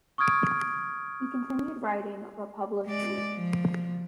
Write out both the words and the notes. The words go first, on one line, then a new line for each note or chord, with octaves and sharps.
He continued writing but published little.
C#6 D#6 F6 G#6 D7
G#3 D5
F3